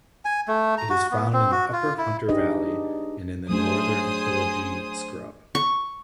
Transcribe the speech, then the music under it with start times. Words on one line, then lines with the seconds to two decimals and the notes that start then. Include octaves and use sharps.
It is found in the upper Hunter Valley and in the northern Pilliga scrub.
0.25 G#5
0.48 A3
0.78 A#5
0.90 F#4
1.11 B3
1.33 C4
1.52 F#4
1.73 F4
1.98 E4
2.29 D4 D#4 G4 G#4 B4 D#5
3.49 F#3 A3 D4 G#4 C5 D#6
5.55 C#6